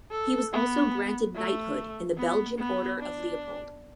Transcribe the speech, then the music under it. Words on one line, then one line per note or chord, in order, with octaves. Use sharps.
He was also granted knighthood in the Belgian Order of Leopold.
A4
B3
A3
B3
B3
D4